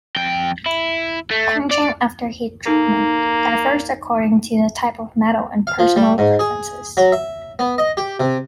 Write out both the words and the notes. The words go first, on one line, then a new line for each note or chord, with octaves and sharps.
Quenching after heat treatment differs according to type of metal and personal preferences.
F2 G5
E4
A3
D5
A#3 D#4 A4 A#4
F5
F3
G3
G#2
G#4
F#3
E5
B3
D#5
G4
C3